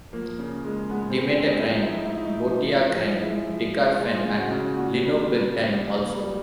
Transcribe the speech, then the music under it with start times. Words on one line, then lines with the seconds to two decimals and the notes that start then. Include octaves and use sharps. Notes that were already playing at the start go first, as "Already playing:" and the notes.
Dimetacrine, Botiacrine, Dicarfen and Linopirdine also.
0.13 F3 A#3
0.39 C#3
0.64 G#3
0.90 G#3 B3
1.10 C4
1.16 G#3
1.29 C4
1.42 G#3
1.48 D#4
1.60 E4
1.68 F3 D#4
1.83 E4
1.93 A2 D#4
2.06 E4
2.17 A2 D#4
2.45 F3 D#4
2.71 F3
2.96 F3
3.22 G#3 E4
3.48 F3
3.74 G#3
3.99 G#3 F4
4.25 C#3
4.37 F#4
4.50 C#3
4.76 A#2 F#4
5.01 G3
5.27 G3
5.54 G3
5.79 A#2
6.05 G3